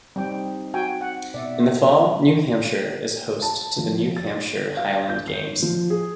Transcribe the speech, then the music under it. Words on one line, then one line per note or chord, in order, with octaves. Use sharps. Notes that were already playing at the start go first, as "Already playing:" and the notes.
In the fall, New Hampshire is host to the New Hampshire Highland Games.
G3 C4 D#4 G5
F#4 G5 G#5
F#5
B2 D5 E5 F#5
A5
F3
A6
F5
G6
C7
F3
G#4